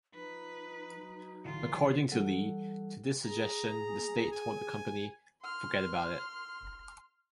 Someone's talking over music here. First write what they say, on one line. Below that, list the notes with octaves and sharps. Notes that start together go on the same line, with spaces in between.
According to Lee, to this suggestion the state told the company, "Forget about it".
F3 D#4 B4
F#3
A1 D3 E3 F4
E3 G3 A4 F#5
G#4 A#5
G#5
C6 F6